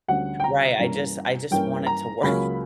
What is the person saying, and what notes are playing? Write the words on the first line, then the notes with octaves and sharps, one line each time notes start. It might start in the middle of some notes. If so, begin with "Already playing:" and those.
Right, I just I just want it to work,
D2 D3 G3 C#4 F#5
G5
A#5
G2 E3 A#3 C#4
G2 E3 A#3 C#4 G5
A#5
C#2 C#3 F#3 A#3 C#4 B5